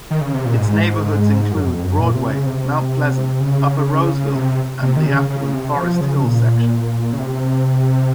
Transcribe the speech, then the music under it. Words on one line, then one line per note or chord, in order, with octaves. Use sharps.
Its neighborhoods include Broadway, Mount Pleasant, Upper Roseville and the affluent Forest Hill section.
D#3
C#3
C3
A#2
G#2
F#2
F2
F#2
A#2
C3
C#3
C3
C#3
C3
C3
D#3
C#3
C#3
C3
F3
C#3
A#2
C#3
C3